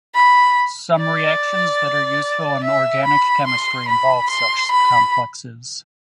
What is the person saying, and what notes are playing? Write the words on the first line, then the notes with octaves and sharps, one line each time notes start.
Some reactions that are useful in organic chemistry involve such complexes.
B5
D5
E5
B5
C6
B5
C6
B5